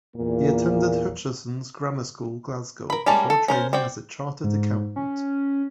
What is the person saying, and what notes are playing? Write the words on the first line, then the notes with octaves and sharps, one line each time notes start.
He attended Hutchesons' Grammar School, Glasgow, before training as a chartered accountant.
E2 A#2 A#3
A#4 B5
G3 G#3 A#3 C#4 A5
A4
C#4 A#4 C5
C4 F#4 D5 G5
G#2
C#4